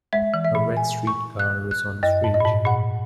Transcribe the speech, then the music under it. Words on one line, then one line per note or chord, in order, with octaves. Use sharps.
A red streetcar is on the street.
G#3 E5
E3
E5
A#2
G#5
C#6
F#6
F#6
F#2 D#5
G#2
D#5
A#2
G#2
A#2 F#5